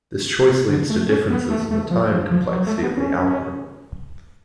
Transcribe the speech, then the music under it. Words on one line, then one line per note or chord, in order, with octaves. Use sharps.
This choice leads to differences in the time complexity of the algorithm.
D3
A3
C#4
B3
A3
A3
F3
F3
F3
F#3
A3
B3
C#4